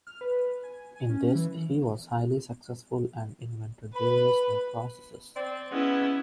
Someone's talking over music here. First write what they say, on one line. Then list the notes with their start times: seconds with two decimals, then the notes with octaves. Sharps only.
In this he was highly successful and invented various new processes.
0.07 F6
0.21 B4
0.64 G#5
0.95 G#5
1.09 C#4
1.35 E3
3.95 B4 B5
5.36 C4 D5
5.72 G#3 B3 C#4 E4